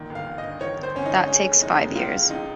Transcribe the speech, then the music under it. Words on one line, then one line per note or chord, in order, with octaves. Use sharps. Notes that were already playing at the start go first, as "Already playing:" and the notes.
That takes five years.
Already playing: A#2 D#3
G1
F5
G1
D#5
G2
D#3 C#5
G1
C5
G1 C#4
D#4
G2
C#3 C#4
F1
F1 D#4
D#2
C#2 F4
C#3
C#2 D#4